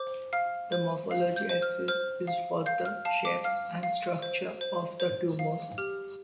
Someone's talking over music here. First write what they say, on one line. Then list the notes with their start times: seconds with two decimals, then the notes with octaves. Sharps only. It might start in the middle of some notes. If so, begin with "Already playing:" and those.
The morphology axis is for the shape and structure of the tumor.
Already playing: C5 D6
0.33 F5 F6
0.72 C5
1.11 F5
1.36 G6
1.49 C5
1.62 F6
1.88 C5 F6
2.27 F5
2.66 F5 G6
2.85 F6
3.05 F5 A5
3.25 D6
3.44 F5 F6
3.83 F5
4.22 C5
4.61 C5
5.00 C5
5.39 F5
5.78 G4 F6